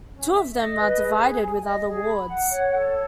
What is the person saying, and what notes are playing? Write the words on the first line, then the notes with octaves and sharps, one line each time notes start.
Two of them are divided with other wards.
C#4
E5
D#5
B4
G#4
G#5
G#5
D#5
G#4
B5
F#5
C#5
A4